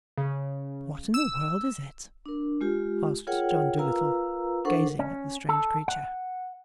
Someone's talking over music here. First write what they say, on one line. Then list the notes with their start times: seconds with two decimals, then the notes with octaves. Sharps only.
"What in the world is it?" asked John Dolittle, gazing at the strange creature.
0.18 C#3
1.14 E6
2.26 D4 A#4
2.61 G#3 F4 G4
3.27 F4 G#4 A#4 C#5 F#5 G5
3.78 F4 A#4 B4 F5 A#5 E6
4.65 D4 A4 A#4 C5 F#5 C#6
4.99 C#4
5.49 A4
5.88 F#5